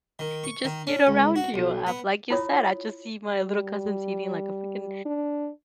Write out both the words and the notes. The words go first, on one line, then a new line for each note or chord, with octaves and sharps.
You just eat around you, uh, like you said, I just see my little cousin's eating like a freaking
D#3
C#6
D#3
C#4
C#2
F#4
B1
B3
E4 F4 C#5 D#6
G3
D4